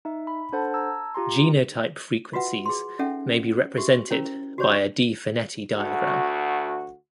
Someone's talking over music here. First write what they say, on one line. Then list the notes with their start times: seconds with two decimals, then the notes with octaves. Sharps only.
Genotype frequencies may be represented by a De Finetti diagram.
0.05 D#4 E5
0.27 B5
0.52 D4 A4 C5 F#5 A5
0.74 A5 A#5 E6 G#6
1.15 F4 G4 A#5 C6
2.33 F4 F#4 B4 E5 F#5
2.66 G#4 C6
2.99 C#4 D#4 A4 E5 F#5 G5
3.77 F#4 G4 E5
4.11 C#4 E4 A#4 C5
4.58 F#4 G4 C5 C#5 C#6
5.76 D2 F#4